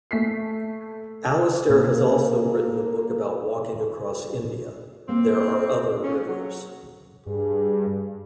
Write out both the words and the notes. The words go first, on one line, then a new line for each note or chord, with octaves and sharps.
Alastair has also written a book about walking across India: "There Are Other Rivers".
A3 B6 C7
A#2 A#3
A#3 C4
A#2 F3 C#4
F#3
G2 G#4